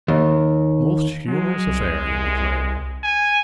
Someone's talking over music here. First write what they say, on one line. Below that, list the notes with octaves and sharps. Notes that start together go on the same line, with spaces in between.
"Most humorous affair!" he declared.
D#2
F#3 G#3
C2
G#5